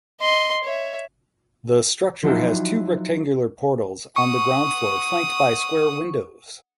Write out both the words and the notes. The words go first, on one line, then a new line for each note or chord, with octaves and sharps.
The structure has two rectangular portals on the ground floor flanked by square windows.
D#5 C6
C#5 E5
F3 F#3 D#4 E4
F#5 C#6 D#6